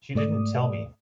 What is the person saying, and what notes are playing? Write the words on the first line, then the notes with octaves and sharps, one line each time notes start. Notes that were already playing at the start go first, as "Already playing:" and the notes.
She didn't tell me.
G#2 A3 D5 D#6